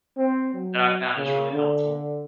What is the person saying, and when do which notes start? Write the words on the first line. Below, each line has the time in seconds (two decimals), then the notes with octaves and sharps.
that I found is really helpful.
0.16 C4
0.54 F#3
1.16 C#3
1.52 D3